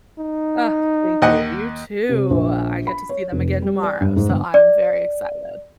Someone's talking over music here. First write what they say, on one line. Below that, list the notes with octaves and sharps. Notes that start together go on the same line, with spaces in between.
Ugh, thank you, you too, I get to see them again tomorrow, so I'm very excited.
D#4
D#2 D#5 F#5
C3
A#1
B5
C#5
F1
G3
D5
G2
G#2
G1
D5